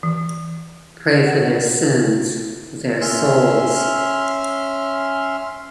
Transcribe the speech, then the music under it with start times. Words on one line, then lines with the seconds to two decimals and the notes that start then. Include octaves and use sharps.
Pray for their sins, their souls.
0.03 E3
1.27 F#5
3.01 C#4 E5 C6 F6